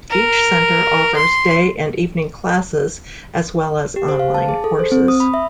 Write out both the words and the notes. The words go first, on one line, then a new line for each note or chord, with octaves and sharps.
Each center offers day and evening classes as well as online courses.
A#4
C6
G4
C5
F5
A5
G#4
A4
C5
C4
D#6
B5
E5